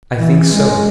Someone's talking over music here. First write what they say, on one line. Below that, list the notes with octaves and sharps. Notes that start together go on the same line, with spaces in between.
"I think so."
E3
G#3